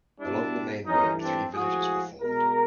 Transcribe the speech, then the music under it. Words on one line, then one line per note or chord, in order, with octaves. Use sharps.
Along the main road three villages were formed.
B2 G3 D4 E4
G2 E3 A3 C#4 D#4
C4 D4
A2 F3 G#3 F#4 G#4
B2 G#3 G#4 A#4